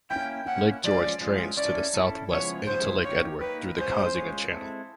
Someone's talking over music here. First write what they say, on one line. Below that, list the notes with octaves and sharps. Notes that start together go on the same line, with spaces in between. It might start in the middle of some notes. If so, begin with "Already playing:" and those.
Lake George drains to the southwest into Lake Edward through the Kazinga Channel.
A#3 C#4 E4 G5
A#3 C#4 E4 F#5
F3 G#3 C#4 F4 D5
F3 G#3 C#4 F4
C#4 E4 A4 D5
C#4 E4 A4
C#3 F3 G#3 B3 E4 C#5
C#3 F3 G#3 B3 E4 C5
A#3 D#4 G4 C#5
A#3 D#4 G4 B4
G#3 C#4 F4 G#4 C5 C#5
G#3 C#4 F4 G#4 C#5
G#3 C4 E4 A4